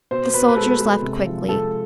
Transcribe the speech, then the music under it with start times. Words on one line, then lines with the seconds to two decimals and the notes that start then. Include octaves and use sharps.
The soldiers left quickly.
0.11 B2 C5
0.33 B2 B4
0.48 B4
0.56 G#3 A4
0.80 G#3
1.02 C3
1.26 F3
1.48 G#3 A4